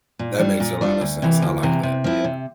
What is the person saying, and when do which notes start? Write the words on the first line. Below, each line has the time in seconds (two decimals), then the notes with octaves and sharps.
That makes a lot of sense, I like that, yeah.
0.19 A#2
0.39 G3 D4 F4
0.60 A#2
0.81 G3 D4 F4
1.01 D2
1.22 C3 E3
1.42 D2
1.63 C3 E3
1.83 C3
2.04 F3 C4 E4
2.24 C3